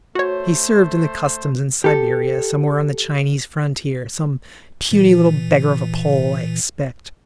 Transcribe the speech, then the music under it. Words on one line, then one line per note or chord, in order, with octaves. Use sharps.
He served in the customs in Siberia, somewhere on the Chinese frontier, some puny little beggar of a Pole, I expect.
A3 F#4 C5 C#5
G4 A4
A#2 E3